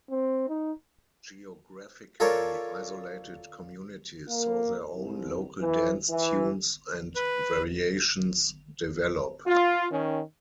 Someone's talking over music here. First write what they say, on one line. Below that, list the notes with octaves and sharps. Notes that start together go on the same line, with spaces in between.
Geographically isolated communities saw their own local dance tunes and variations develop.
C4
D#4
F4 A4 A#4 C#5 D5
A#3
C2
E3
E3
B4
F4
D#3 C#4